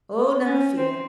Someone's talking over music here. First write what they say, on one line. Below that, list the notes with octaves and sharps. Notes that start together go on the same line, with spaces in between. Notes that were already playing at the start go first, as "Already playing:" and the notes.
'Oh! never fear!
C#4
C4